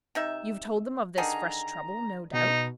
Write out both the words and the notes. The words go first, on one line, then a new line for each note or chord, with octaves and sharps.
"You've told them of this fresh trouble, no doubt."
C3 D#4 E5
D3 D#3 G#4 A#5
B2 D#4